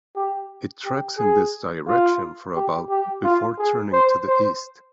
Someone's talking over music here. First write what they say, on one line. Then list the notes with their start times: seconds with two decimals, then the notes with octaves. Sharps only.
It treks in this direction for about before turning to the east.
0.16 G4
0.85 G4
1.18 G#4
1.87 F4
2.56 G4
2.90 G4
3.24 F4
3.59 G#4
3.93 C5
4.27 C5